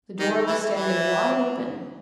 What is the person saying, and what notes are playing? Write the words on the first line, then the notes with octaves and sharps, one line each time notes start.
The door was standing wide open.
D#3 D#4
E3 E4
E3 E4